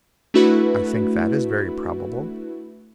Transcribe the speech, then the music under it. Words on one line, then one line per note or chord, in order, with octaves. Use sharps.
"I think that is very probable."
A3 D4 E4 F#4 B4